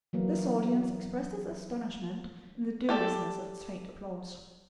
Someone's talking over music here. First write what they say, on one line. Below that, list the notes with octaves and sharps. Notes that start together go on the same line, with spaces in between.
This audience expressed its astonishment, in the dubiousness of its faint applause.
E3 F#3 A#3
G4 A4 D5